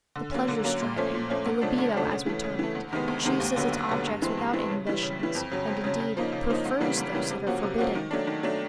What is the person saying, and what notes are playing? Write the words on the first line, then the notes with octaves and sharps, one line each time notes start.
The pleasure-striving--the libido, as we term it--chooses its objects without inhibitions, and indeed, prefers those that are forbidden.
D3
F#3 A#3 C#4
D3
F#3 A#3 C#4
A#2
F3 A3 C#4
A#2
F3 A3 C#4
D2
C#3 F3 A3 D4
D2
C#3 F3 A3 D4
C#3
E3 A3
C#3
E3 A3
D2
C3 D#3 G#3 B3
D2
C3 D#3 G#3 B3
D#2
D3 F#3 B3
D#2
D3 F#3 B3
G2
E3 G#3 C4
G2
E3 G#3 C4
C#3
E3 G3
C#3
E3 G3
F2
C#3 F#3
F2
C#3 F#3
C#3
F3 A#3 D#4
C#3
F3 A#3 D#4
D2
C#3 E3 G3 A#3
D2
C#3 E3 G3 A#3
C3
F3 A#3 C#4 F#4
C3
F3 A#3 C#4 F#4
D#3
F#3 A3 D4
D#3
F#3 A3 D4